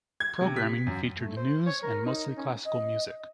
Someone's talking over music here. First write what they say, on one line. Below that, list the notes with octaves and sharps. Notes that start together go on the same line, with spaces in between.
Programming featured news and mostly classical music.
G#6
C3
B6
F#2
A3
C5
C#5
A#4
D#4
C#4
D#5